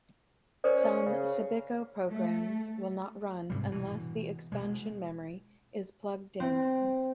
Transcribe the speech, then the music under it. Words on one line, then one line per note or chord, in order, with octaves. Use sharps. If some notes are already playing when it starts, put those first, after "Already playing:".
Some Cybiko programs will not run unless the Expansion Memory is plugged in.
C#4 A#4 C5 D5
C#3
A3
G#2 C3 G3
B2 E3
B2 G#3
C4